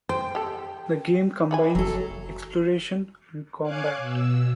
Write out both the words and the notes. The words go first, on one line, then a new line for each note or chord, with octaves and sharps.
The game combines exploration and combat.
C5 G5
G4 A4
E3 B4 G#5
F#1 F#3 A4
C#5 F5 G#5 D6 F#6 G#6
B2 E6